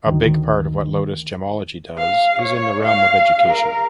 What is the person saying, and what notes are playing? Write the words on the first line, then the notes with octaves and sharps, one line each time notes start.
A big part of what Lotus Gemology does is in the realm of education.
D2 D#3
F5
C#5
F5
A#4